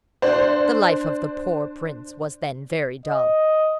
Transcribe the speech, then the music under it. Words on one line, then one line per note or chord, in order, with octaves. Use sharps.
The life of the poor prince was then very dull.
D4 C5
D#5